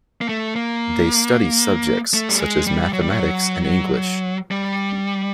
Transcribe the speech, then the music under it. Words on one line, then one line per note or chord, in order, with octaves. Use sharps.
They study subjects such as mathematics and English.
A#3
A3
A#3
A3
G3
G#3
G3
F#3
G3
F#3
G3